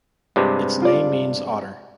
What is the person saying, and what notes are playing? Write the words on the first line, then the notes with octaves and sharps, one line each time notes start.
Its name means "otter".
G2 C3 G#3 G4 B4 D5
F4 D5